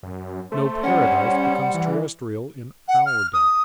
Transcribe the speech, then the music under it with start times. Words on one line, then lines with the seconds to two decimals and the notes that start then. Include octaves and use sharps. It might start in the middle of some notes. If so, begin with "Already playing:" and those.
No paradise becomes terrestrial in our day.
0.03 F#2
0.52 A3 C5
0.83 G3 C#4 F#5
1.74 E3
2.88 F#5
3.06 F6
3.33 D#6